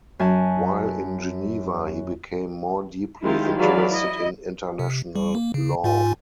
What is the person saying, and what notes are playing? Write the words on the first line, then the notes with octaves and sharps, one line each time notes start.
While in Geneva he became more deeply interested in international law.
F#2 G#5 A5
D#3 G#3 E4 F4 G4 C5
E3 F#3 G#4 D5 F5 B5
E4 D#5
C3
G3
A#3
C#3
G#2 F4 G#5